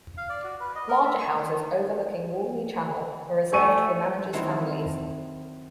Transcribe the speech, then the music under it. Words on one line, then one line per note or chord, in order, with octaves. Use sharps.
Larger houses overlooking Walney Channel were reserved for managers' families.
F5
D5
F#4
B4
D#5
A#4
E5
C#6
A3 G#5 C#6 D#7
D#3 F#3 C4 E4